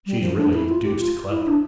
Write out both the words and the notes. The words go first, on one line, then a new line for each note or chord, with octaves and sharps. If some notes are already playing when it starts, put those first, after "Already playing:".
She's really deuced clever.'
G3
F3
D4
E4
F4
G4
F4
E4
D4